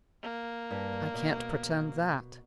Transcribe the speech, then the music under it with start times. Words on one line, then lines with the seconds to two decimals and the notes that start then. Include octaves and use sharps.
"I can't pretend that."
0.23 A#3
0.71 G2
1.14 B2